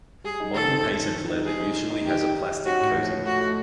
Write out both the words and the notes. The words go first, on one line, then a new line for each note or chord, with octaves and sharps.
Modern patent leather usually has a plastic coating.
G3 G#4
D#4
D#3 A4
C4
C4
D#3
D#3
D#4
G3 G#4
D#4
G3
D#4
D#3 G4
D#4
D#4
D#4
C#4 F#4
A2
F3
C#4
A3 F#4
A3